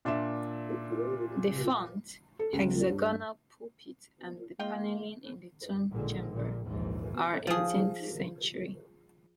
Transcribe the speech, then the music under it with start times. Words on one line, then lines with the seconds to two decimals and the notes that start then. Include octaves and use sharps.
The font, hexagonal pulpit and the panelling in the tomb chamber are eighteenth century.
0.05 A#2 D4 E5 C6 E7
2.39 A4
2.53 C#2
2.90 G2
4.59 G#3 A#3 D#4 F4 G5
5.90 A1 A#2 D3 D#3 G#3
6.30 A#1 A#2 D3
6.65 A#1 D#2 G#2 E3
7.47 F3 G#4